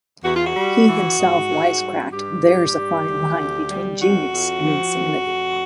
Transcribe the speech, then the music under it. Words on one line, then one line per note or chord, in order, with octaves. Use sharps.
He himself wisecracked There's a fine line between genius and insanity.
E2 F#4
F4
F#4
G3
E3
G#2
G#2
G3
G2 G4
G2
G3
D2
D2
G3
F2 F#4
F2
F3
F2
F2